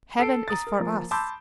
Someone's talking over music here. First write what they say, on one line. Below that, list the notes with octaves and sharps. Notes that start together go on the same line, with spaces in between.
Heaven is for us!
A4 C7 D7
A#5 D#6 A6
A#4
F3 A#3
A5 B5 C6 D6 E6 G6